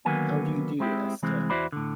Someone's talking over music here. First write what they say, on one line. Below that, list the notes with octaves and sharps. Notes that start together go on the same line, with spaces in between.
How do you do, Esther?
D3 D#3 F#3 A#3 B3 G#5
G#3 C4 E4 G4
C2 E3 G#3 C4
E2 E4 F#4 C5 D5 B5
A2 D3